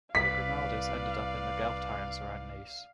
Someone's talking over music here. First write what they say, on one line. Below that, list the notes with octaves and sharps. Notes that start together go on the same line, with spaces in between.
The Grimaldis ended up in the Guelph towns around Nice.
C2 B4 D5 F5 B6